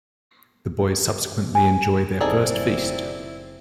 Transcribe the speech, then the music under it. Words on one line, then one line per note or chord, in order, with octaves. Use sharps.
The boys subsequently enjoy their first feast.
G#5
F#1 C4 D#4 E4 G#4 A4 D5